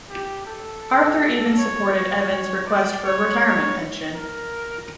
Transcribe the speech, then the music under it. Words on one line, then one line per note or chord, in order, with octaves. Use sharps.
Arthur even supported Evans' request for a retirement pension.
G4
A4
A4
C#5
C#5
C#5
D5
C#5
C#5
A#4